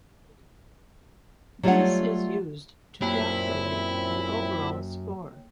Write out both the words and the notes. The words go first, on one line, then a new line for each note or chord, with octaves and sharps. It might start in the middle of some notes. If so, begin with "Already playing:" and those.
This is used to calculate an overall score.
F#3 G3 A3 F4 C#5 F#5
F#2 A#2 A#3 C4 E4 C#5 E5 G5